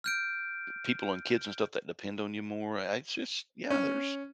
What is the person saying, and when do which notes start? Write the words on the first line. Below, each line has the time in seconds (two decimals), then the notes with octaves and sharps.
people and kids and stuff that depend on you more, I it's just, yeah, there's
0.04 F6 G6 D7
3.70 C#4